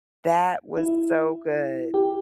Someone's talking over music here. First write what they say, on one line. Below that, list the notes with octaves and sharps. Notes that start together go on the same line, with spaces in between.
That was so good.
E4
G4